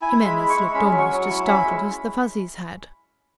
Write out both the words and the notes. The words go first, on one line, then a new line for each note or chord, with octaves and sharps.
Jimenez looked almost as startled as the Fuzzies had.
E4 G#5
G#3
B5
E4
C#6
G#3
C#4 B5
F#3
C#6
F#3
C#6
E4
C#4 B5
G#3